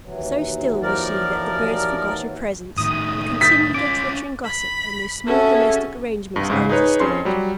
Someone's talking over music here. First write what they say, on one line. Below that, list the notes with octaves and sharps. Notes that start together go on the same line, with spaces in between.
So still was she that the birds forgot her presence, and continued their twittering gossip and their small domestic arrangements undisturbed.
D#2 E3 F#3
F3 A#4 D5
A2 D#3 D#6
G6 A6 B6
C#4 F4 D6
B5
C#4 F#4 G#4 A4 E5
C2 G2
G#2 C#3
D#4 G#4 B4 C#5
F2 C#4 C#5 C6
F#3 G3